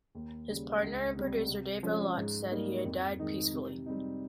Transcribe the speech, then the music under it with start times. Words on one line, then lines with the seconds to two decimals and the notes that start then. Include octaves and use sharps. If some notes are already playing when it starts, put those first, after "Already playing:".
His partner and producer Dave Aylott said he had died peacefully.
0.15 D#2
0.48 C#3 G3
0.82 C#2
1.16 C3 G3 C4
1.49 C3
1.83 F3 G#3 C#4
2.17 G#2
2.51 G3 A#3 D#4
2.86 F2
3.19 D#3 G#3 D#4
3.53 C3
3.86 G3 C4 D#4